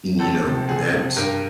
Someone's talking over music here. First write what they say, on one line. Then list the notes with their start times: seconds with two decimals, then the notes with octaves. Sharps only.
and, you know, that
0.19 C#2 A4
0.44 C3 F3
0.69 C#2 G#4
0.92 C3 F3
1.16 G2 A#4